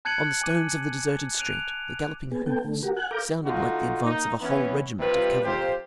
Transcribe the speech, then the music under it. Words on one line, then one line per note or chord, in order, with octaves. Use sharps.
On the stones of the deserted street the galloping hoofs sounded like the advance of a whole regiment of cavalry.
A5 F#6 G#6 C#7 D#7 F#7
G#5 D6 D#7
F#6 D7 D#7 F7
B3 G#4
B3 A4 G5
D3 A3
F#4 G4 A#4
F#5 G#5 F#6
A4 A#4 F5 A#5 D6 G6
D2 D3 D#4 F4 F#4
A#3 D#4
E3 B3 C#4
C3 D#3 G3 F4 B4
F2 F4 G4 C5